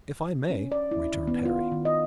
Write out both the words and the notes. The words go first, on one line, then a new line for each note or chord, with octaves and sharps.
"If I may," returned Harry.
C#4
D5
E4
D#3
B3
F4
D#3
D#5